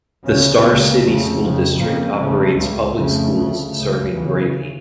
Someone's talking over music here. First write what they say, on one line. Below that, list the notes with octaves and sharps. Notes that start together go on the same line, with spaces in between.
The Star City School District operates public schools serving Grady.
D2 C#3 C#4
C#2 C#3 A#3
F2 C#3 A3
F2 C#3
F2 C#3 A#3
F2 C#3 A3
C#2 C#3
F2 C#3 A3
D2 C#3
C#2 C#3
E2 C#3 E3